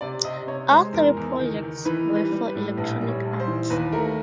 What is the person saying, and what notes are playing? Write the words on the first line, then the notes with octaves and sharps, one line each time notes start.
All three projects were for Electronic Arts.
C3 D5
C3 D#5
C3 C#5
G#3 C5
E2 A#4
E2
D#3
D#3
E3 B4
G3
B4
G3
B4
A2
A#1 B4
G3
C#5
A#1
C5
E3
D#2 B4
A3 A#4